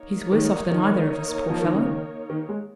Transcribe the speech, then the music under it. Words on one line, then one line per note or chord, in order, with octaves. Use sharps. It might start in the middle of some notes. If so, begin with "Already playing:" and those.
He's worse off than either of us, poor fellow.'
Already playing: A#3 D#4 A#4 C#5
D#3
D#3
F3
D#3
C#3
D#3
D#3
G#3